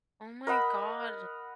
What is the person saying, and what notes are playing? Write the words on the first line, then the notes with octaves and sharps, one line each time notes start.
Oh my god,
A#4 D#5 F#5 B5